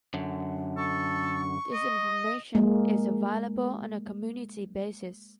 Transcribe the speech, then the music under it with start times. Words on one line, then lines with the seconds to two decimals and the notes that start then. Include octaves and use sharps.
This information is available on a community basis.
0.14 F#2 D3
0.77 A4 C#6
1.73 D#5
2.55 G#3 A#3